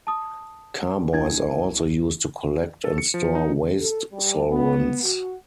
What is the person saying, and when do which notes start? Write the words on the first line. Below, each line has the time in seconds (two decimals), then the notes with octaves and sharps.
Carboys are also used to collect and store waste solvents.
0.07 A5 D#6
1.13 C2 D4 E4 G#6
2.85 A4
2.98 C#7
3.14 F3
3.35 D#4
3.81 A4
4.13 G3
4.50 B3
5.04 F#4